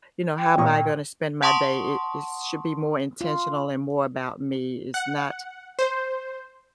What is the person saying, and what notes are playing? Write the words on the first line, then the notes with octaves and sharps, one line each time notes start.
you know, how am I gonna spend my day, it it should be more intentional and more about me, it's not
G5
A#2 C#6 D#6
F#5 A5 C6 C#6 D#6
F4
F#5
C5